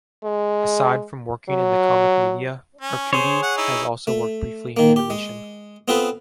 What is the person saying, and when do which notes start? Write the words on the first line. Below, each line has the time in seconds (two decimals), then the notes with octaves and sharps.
Aside from working in the comic media, Arcudi has also worked briefly in animation.
0.24 G#3
1.49 F#3
2.81 C#4
3.13 G#4 C5 C#5
3.42 F#5
3.57 D#4 E4
4.07 A3
4.77 D#3 A#3
4.96 G4
5.10 G#3
5.88 B3 C4 F4 G#4 A4 B4